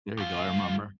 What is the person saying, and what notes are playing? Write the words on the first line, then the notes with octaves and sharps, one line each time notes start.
there you go. I remember.
D2 F4